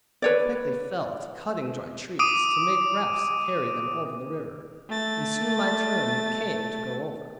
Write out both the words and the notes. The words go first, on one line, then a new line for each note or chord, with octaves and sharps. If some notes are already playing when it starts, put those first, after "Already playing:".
They quickly fell to cutting dry trees, to make rafts to carry them over the river: and soon my turn came to go over.
B4 C#5 D5
D6 D#6 D7 D#7
A3 A6